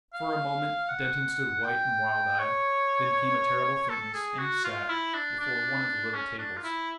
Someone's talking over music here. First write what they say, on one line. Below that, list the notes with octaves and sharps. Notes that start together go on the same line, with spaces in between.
For a moment Denton stood white and wild-eyed; then came a terrible faintness, and he sat before one of the little tables.
F5
F#5
G5
C#5
A4
G#4
F#4
F4
E4
D4
D4
C#4
D4
F4
E4